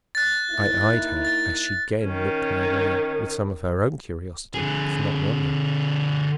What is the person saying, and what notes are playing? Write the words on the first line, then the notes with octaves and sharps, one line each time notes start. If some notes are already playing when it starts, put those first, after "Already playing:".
I eyed her as she again looked my way, with some of her own curiosity if not wonder.
F#6 A6
A#3 D#4 E4
A6
D#3 C#4
D3 G#4